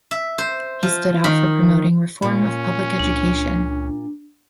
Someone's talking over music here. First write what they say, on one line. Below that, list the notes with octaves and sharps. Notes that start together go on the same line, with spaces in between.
He stood out for promoting reform of public education.
E5
C5
F3
D#3
A#2 C#4
C#2 D4